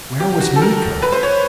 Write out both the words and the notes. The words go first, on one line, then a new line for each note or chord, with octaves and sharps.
Where was Miko?
G4
F#4
A4
A#4
B4
C5
C#5